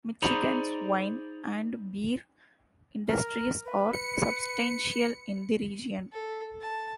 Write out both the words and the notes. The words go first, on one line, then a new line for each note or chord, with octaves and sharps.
Michigan's wine and beer industries are substantial in the region.
D#4 G#4 C5 D5 A#5 B5
A#4
B4
C#7
A4
A5